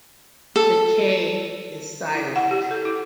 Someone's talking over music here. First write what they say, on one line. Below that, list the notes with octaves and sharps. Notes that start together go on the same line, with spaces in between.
The 'K' is silent.
A4
E4
F#5
G4
A4
E4